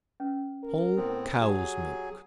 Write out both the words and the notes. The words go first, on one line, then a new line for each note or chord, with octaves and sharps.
Whole cow's milk.
C#4 B4
A#4
A2 B3 C4
F#3 G4 G#4